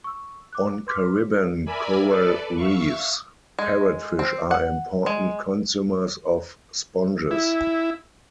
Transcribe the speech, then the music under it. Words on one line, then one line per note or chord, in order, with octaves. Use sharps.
On Caribbean coral reefs, parrotfish are important consumers of sponges.
C#6 E6
D6 F#6
B4 C6 D6 F6 B6
A#4 D5 E5 G#5 B5
A4 B4 D5
E5 F5 C#6
G#3
C4
F#5
G#3
E4